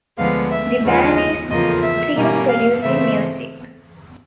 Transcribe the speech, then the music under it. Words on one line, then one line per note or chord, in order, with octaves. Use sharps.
The band is still producing music.
D2 D3 F3 G#3 B3 F5
E5
D#2 C#3 F3 G#3
D#5
E2 C#3 F3 A#3 D#5
E5
B2 G3 A#3 C#4
F5
C#3 E3 A3 C4 E5